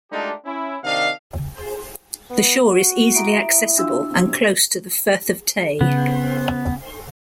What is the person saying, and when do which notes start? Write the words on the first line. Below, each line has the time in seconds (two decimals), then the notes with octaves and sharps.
The shore is easily accessible and close to the Firth of Tay.
0.12 G#3 A3 D4 D#4 F4 G4
0.45 C#4 E4
0.83 C3 D#3 D4 D#5 F5
2.30 B3
2.68 F#4
3.15 E4 G4 D#5 A#5 D7
3.78 D4 F4 F#4 E6
4.11 C3 C#5 F5
5.81 C#3 B3